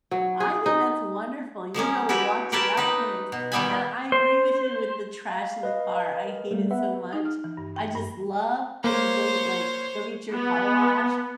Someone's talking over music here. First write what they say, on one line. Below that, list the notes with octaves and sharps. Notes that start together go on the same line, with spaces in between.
I think that's wonderful, you're really watching out for things, and I agree with you with the trash in the car, I hate it so much, I just love when you go, like, go get your car washed
F#3
G#4
D#4
F3 G#3 A#3 C#4
E4 F#4 G4 B4 C#5
G4 A#4 B4 C#5 E5 A5
D#4 B4
B2
A#2 D#3 G3 B3 E5 G#5
C5
F5
B4 D#5
A#4
G3 A3 A#3 A#4
B3 B4 E5 F#5
D#4
F6
E3
G2
G5
G2
A#3 C5 C#5
B3